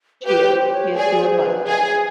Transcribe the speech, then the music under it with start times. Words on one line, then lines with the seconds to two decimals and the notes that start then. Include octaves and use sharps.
She is, she is doing much better.
0.21 C5
0.25 G4 B4
0.50 C5
0.74 C#5
0.97 G#4 D5
1.21 C5
1.44 B4
1.67 G#4